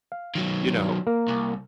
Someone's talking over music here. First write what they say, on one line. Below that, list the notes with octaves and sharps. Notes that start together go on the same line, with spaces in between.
you know,
F5
D#3 F#3
A#3 A#4
C2